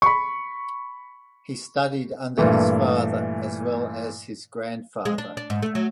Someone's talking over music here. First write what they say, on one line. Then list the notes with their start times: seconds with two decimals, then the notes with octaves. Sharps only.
He studied under his father as well as his grandfather.
0.02 B5 C#6
2.38 G2 A#2 E3 A3
5.05 G#3
5.18 D4
5.37 D4
5.50 G#2
5.62 A3
5.75 F#3